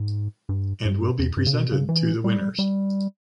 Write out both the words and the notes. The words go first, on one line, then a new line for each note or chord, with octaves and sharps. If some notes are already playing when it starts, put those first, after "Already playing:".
And will be presented to the winners.
Already playing: G#2
G2
G2
E2
G2
C#3
B2
C#3
E3
G3
G3